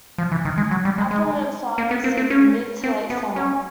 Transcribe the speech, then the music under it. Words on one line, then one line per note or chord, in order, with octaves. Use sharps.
Apple mint flowers in mid to late summer.
F3
E3
D#3
G#3
F#3
G3
G#3
G#3
A#3
B3
C4
C4
C#4
C4
B3
C#4